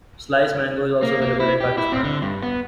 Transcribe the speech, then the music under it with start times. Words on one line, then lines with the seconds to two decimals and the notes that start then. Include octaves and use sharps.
Slice mango is also available in Pakistan.
1.03 A#3
1.22 A#3
1.40 E4
1.61 G4
1.78 E4
1.92 C4
2.04 D3
2.22 G2
2.43 B3